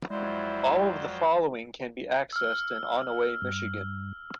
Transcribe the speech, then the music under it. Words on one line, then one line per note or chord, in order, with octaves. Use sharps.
All of the following can be accessed in Onaway, Michigan.
F2 F#3 G#3 E4 C5 D5
E6 F6
G2